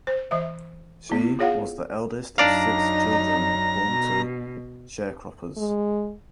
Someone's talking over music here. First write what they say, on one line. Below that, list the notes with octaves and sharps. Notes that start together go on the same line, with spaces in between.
She was the eldest of six children born to sharecroppers.
C5
E3 C5 E5
B3 E4
F4 G#4 C#5 F5 F#5
F#2 D4 D#4 D5 F5 A#5
B2
G#3